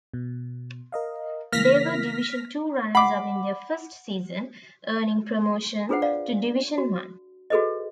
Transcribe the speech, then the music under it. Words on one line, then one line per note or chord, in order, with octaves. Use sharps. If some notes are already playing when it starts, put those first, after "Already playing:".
They were Division Two runners-up in their first season, earning promotion to Division One.
B2
A#4 D#5 F5
C#3 E3 A#3 F6 A#6 B6
F#5 B5 D6
D4 F4 G#4 B4 C5 F#5
D5 F5
F#4
F#4 G#4 A4 B4 C5 D#5